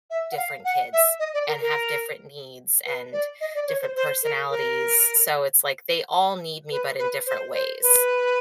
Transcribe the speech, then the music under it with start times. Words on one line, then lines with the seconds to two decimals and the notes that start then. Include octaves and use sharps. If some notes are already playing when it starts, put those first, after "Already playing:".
different kids, and have different needs and, different personalities, so it's, like, they all need me, but in different ways.
0.10 E5
0.32 F#5
0.37 F5
0.65 F#5
0.93 E5
1.19 D#5
1.34 D5
1.48 A#4
1.61 A#4
2.85 B4
3.12 D5
3.41 D#5
3.55 D5
3.67 C#5
3.81 C5
3.96 C5
4.23 A#4
4.50 A#4
6.71 B4
6.98 B4
7.26 C5
7.53 C5
7.82 B4